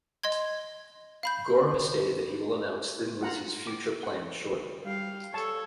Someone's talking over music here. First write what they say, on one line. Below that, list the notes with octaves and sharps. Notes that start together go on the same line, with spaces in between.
Gorham has stated that he will announce Thin Lizzy's future plans shortly.
D#5 C6 G#6
F5 B5 G6
F4 F#5 A#5
D6
F#5
G3 F5
A4 C#5 A5